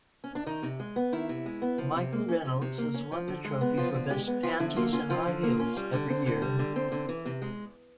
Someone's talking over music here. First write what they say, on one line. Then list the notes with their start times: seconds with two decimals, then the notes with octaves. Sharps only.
Michael Reynolds has won the trophy for best panties and high heels every year.
0.24 C#4
0.35 D4
0.46 D#3 D#4
0.63 C3
0.80 G#3
0.96 B3
1.12 D#3 E4
1.29 C3
1.46 G#3
1.62 B3
1.78 F3
1.95 C3
2.12 A#3
2.29 C#4
2.45 F3
2.61 C3
2.78 A#3
2.94 C#4
3.12 F3
3.28 D3
3.45 G#3
3.61 B3
3.77 F3 F4
3.94 D3
4.10 G#3 G4
4.27 B3
4.43 F3 F4
4.60 D3 E4
4.76 A#3 F4
4.93 C#4 F4
5.10 F3 F4
5.26 D3
5.43 A#3
5.60 C#4
5.77 G3
5.93 D3
6.10 C4
6.26 D3
6.42 G3
6.59 D3
6.76 C4
6.92 D3
7.09 E3
7.25 C3
7.42 G#3